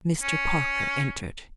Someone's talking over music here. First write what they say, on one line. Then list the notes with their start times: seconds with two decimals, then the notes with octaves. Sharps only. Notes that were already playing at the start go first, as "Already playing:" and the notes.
Mr. Parker entered.
0.22 C#4